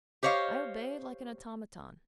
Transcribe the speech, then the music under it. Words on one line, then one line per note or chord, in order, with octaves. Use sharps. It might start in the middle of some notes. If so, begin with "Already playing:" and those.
I obeyed like an automaton.
G4 C5 C#5 D#5 F5